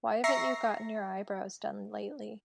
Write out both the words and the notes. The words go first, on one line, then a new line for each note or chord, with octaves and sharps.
Why haven’t you gotten your eyebrows done lately?
E5 A#5 C#6 A#6 C7